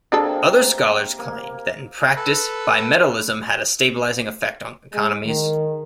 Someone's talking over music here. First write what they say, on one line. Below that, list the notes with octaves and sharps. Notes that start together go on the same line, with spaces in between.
Other scholars claimed that in practice bimetallism had a stabilizing effect on economies.
C3 A#3 D4 G#4 A4
A#3
A4 B4
G#3
D#3